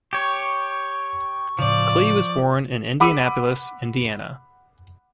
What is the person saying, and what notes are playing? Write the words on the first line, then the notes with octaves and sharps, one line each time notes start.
Klee was born in Indianapolis, Indiana.
G4 C#5 C#6
A2 C#3 F3 D5
F#5 B5 D6 E6 D#7